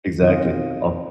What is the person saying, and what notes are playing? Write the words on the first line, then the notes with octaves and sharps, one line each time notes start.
Exactly, o
B2 D#3 C4 F4 D#5